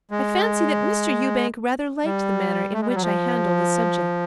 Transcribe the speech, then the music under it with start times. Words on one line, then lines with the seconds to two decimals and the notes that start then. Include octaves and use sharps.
I fancy that Mr. Ewbank rather liked the manner in which I handled the subject.
0.11 G#3
2.05 G3
2.74 A3
2.81 G#3
2.88 G3
2.95 F#3
3.02 F3